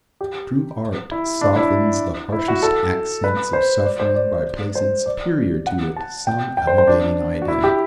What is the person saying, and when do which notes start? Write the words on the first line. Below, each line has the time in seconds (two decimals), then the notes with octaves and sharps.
True art softens the harshest accents of suffering by placing superior to it some elevating idea.
0.21 G4
1.11 E4
1.41 D4
1.56 E4
2.32 E4
2.48 F#4
2.62 A4
3.24 B4
3.53 C5
3.84 D5
4.00 C5
4.14 D5
4.75 C5
5.06 D5
5.67 F#5
5.96 A5
6.27 G5
6.57 G5
6.67 C5
6.78 C5
6.87 D4
7.42 F#4
7.48 E4
7.64 G4